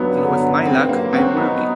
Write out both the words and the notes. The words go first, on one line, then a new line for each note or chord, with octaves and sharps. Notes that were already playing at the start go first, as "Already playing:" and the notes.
And with my luck, I will be.
Already playing: G2 F#3 B3
D3 B3
G2
G2 C4
F#3 A#3
C4 F#4
B3 D#4